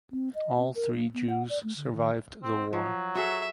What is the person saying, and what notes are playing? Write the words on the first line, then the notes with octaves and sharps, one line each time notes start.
All three Jews survived the war.
C4
D#5
C4
A#4
A#3
B3
F#5
D5
A3
D3
D#3
C4
F3 F#3
F#4 G#4 A4 E5